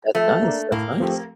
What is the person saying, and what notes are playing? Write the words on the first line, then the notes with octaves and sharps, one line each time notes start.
That's nice, that's nice.
F3 A3
A#3 D4
A2 A#3
F3 A3 C4 G4